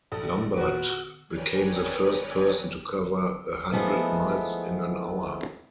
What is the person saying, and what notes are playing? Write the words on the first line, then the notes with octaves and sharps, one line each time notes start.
Lambert became the first person to cover a hundred miles in an hour.
A#1 A4 D#6
A#2 F#4 B4
A#4 B4 C#5 D5 G5 G#5
F3 G#3 A3 B3 E4